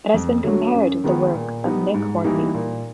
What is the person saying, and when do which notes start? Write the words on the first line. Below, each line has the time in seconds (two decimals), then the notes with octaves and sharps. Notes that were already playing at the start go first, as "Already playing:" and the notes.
It has been compared with the work of Nick Hornby.
0.14 F2
0.43 D3 F#3 A3
0.74 F#2
1.04 D#3 G#3 B3 D#4
1.34 A#2
1.64 G3 B3 D#4
1.94 G#2
2.24 E3 G3 A#3 D#4
2.55 A#2